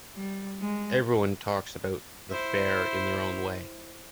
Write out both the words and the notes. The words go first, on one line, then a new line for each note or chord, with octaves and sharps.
Everyone talks about the fair in their own way.
G3
G#3
E4 C5